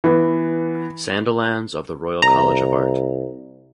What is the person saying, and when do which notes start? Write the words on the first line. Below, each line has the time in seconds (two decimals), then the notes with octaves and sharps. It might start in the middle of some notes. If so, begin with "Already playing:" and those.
Sandilands of the Royal College of Art.
0.04 E3 B3
2.22 C2 A#5